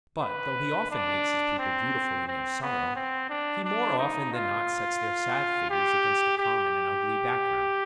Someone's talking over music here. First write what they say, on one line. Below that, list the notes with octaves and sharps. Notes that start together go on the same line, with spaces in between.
But, though he often makes his people beautiful in their sorrow, he more often than not sets their sad figures against a common and ugly background.
B4
D4
C4
C4
B3
C4
D4
D4
D#4
F4
G4
G4